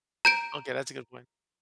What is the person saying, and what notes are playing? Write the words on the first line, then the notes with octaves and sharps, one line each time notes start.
Okay, that's a good point.
A#5 G6 D7